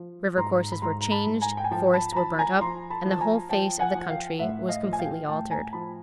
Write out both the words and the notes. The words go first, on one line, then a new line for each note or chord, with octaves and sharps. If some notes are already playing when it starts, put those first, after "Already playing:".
River-courses were changed, forests were burnt up, and the whole face of the country was completely altered.
Already playing: F3
G#2 A#5 C6
B5
G#2 A#5 C6
A#5
A5 B5
G#2
G#5 A#5
G5
G#5
F3 G5 A5
A5 B5
A#5
F3 A5 B5
B5
G#5 A#5
F3 A#5 C6
A5 B5
F3
A5
G#5 A#5
F3 G5 A5
F#5 G#5
F3
F5 G5
A2 E5 F#5
D#5 F5
F3
G#5
F5 G5
A2 G5 A5
G#5 A#5
F3 A5 B5